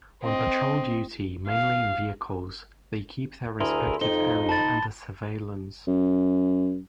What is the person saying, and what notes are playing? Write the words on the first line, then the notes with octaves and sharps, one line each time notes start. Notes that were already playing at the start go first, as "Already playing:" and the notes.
On patrol duty, mainly in vehicles, they keep their respective area under surveillance.
C4 D#5
F5
D2 A3 E4 G#4 A#4 C6
F2 D#4 G7
A5 B5 A6
F#2